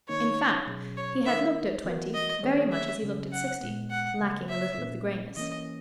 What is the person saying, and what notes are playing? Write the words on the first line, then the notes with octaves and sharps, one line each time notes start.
In fact, he had looked at twenty very much as he looked at sixty, lacking a little of the grayness.
D#3 A#3 D#4 C#5
B2 F#3 C#4 G#4
C#5
D#3 A#3 D#4 A#4 E5
E3 B3 F#4 A#4
D#5
D#3 A#3 C#4 G#4 C#5
E5
C#3 F#3 C#4
F#5
A#2 G#3 B3
F#5
C#3 F#3 A#3
E5
A#2 A#3 C#4
E3 A#3 C#4 D#5